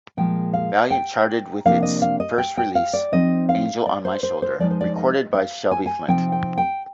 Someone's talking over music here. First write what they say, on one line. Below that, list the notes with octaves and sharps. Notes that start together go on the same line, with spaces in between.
Valiant charted with its first release, "Angel On My Shoulder" recorded by Shelby Flint.
A#2 F3 G#3 G5
F5
G5
C3 F3 A#3 D4 F5
D#5
F5
D#5
G5
G5
F5
D5
F3 C4 D#4 D#5
F5
D5
C5
C5
C5
F3 G#3 D#4 D5
C5
D5
D#5
F5
G#5
G#5
C3 F3 C4 D#4 G5
G5
G5